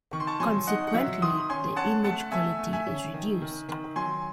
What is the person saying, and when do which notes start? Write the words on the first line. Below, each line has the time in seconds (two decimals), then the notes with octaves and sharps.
Consequently, the image quality is reduced.
0.13 D#3 C#6
0.20 C6
0.27 A5 C#6
0.40 F#3 G#5 C6
0.67 D#4 D#5 F#5
0.87 F#5
0.94 F#3 E5
1.22 D#3 C6 D#6
1.49 C#4 G#5 C6
1.76 C#4 F#5 A5
2.04 A3 F#5 A5
2.32 A3 E5 G#5
2.59 A3
2.73 E5 G#5
2.87 C#4
3.14 D#3
3.42 D#3
3.68 D#3
3.96 F#3 G#5 C6